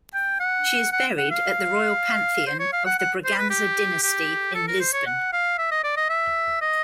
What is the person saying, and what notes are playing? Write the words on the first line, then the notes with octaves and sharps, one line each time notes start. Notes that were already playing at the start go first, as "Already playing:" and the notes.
She is buried at the Royal Pantheon of the Braganza Dynasty in Lisbon.
G5
F#5
F#5
F#5
F5
C5
C#5
F5
F#5
F#5
C5
B4
G4
G4
A4
A#4
C5
C#5
F#5
F5
E5
D#5
D5
D#5
E5
D#5